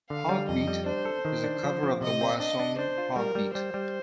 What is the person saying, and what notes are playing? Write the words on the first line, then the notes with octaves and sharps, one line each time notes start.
"Heartbeat" is a cover of the Wire song "Heartbeat".
D3 F5
G3
F2 D#5
G3
D4 C5
A4
D#3
D4
F3
F3
C3 D#5
C4
D4 D#5
D4
D4 C5
F4
G3 A#4
G3
G3 C5
G3